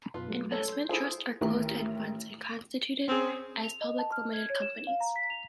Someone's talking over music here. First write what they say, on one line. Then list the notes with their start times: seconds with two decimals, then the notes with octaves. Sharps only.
Investment trusts are closed-end funds and are constituted as public limited companies.
0.14 F#2 B2 F4 B4
0.28 F#3 G#3 A3
0.52 C#4 A4 C#5
0.68 C6 G6
0.89 E4 F4 G#4 A4 C5 G#5
1.41 A1 A2 D#3 A3 G4 A#4
3.08 C4 C#4 G#4
3.64 F7
3.81 D#5
3.98 A5
4.12 F6
4.33 G#6
4.50 C#5
4.62 E7
4.87 F5
5.01 A#5
5.16 B6
5.30 F7